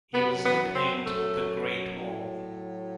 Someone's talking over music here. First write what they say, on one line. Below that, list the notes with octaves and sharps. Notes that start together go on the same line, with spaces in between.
He was nicknamed "The Great Wall".
F#2 F#3 B3
B3
C4
A3
A2 F#3